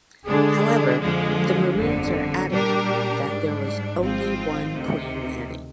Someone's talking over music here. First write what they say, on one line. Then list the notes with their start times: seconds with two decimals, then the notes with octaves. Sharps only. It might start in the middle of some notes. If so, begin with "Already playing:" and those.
However, the Maroons are adamant that there was only one Queen Nanny.
0.25 D3 G#3 D4 G#4
1.00 F2 D3 F3 G#3
1.75 G1 F2 D3
2.49 A#2 G3 D4 G4 A#4
3.24 G#2 G3 D4
3.98 G#1 G#2 F3 C4 F4
4.73 D2 C3 D#3